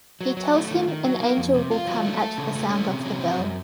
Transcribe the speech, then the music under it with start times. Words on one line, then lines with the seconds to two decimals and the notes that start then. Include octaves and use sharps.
He tells him an angel will come at the sound of the bell.
0.21 F#3
0.37 F#3
0.54 A3
0.71 D#3
0.88 D#3
1.05 F#3
1.20 A#3
1.37 F2
1.54 C3
1.71 F4
1.87 F#3
2.04 A3
2.21 A4
2.38 C#3
2.55 A3
2.71 C#4
2.88 C3
3.05 F#3
3.21 C4
3.38 F#2